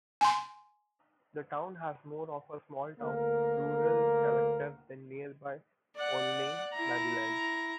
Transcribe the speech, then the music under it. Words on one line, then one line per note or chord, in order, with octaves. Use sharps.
The town has more of a small town, rural character than nearby Olney, Maryland.
G#5 C6
D2 A#3 A#4
D5 F#5
E4 A#5